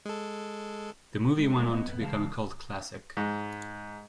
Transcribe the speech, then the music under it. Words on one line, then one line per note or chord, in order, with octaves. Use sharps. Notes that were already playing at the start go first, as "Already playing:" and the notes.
The movie went on to become a cult classic.
G#3 A4
G#3
F#3 G#3 A3 F4 A#4 C5
B3 D#5
F2 B3
C#3 E3 G#3 D#5 F5 A5
G#2